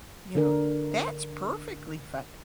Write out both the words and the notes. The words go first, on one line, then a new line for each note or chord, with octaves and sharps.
You know? That's perfectly fine.
D3 D4 A#4